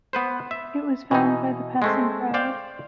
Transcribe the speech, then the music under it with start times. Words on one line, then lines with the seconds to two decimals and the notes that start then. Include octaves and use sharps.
It was found by the passing crowd.
0.13 B3 B4 C5
0.51 E5
1.11 B2 E3 D#4
1.82 G#3 A3 C4
2.34 C5 D5 F5 G5